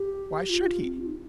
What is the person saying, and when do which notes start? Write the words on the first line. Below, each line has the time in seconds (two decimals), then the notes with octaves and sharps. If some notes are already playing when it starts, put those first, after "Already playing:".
Why should he?
Already playing: G4
0.49 F4
0.81 C4
1.00 F4
1.06 D#4